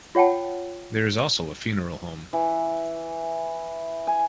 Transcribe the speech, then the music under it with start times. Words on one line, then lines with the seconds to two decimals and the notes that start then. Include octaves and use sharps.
There is also a funeral home.
0.15 F4 C#5 F#5 G5 A5
2.33 E3
4.07 G#5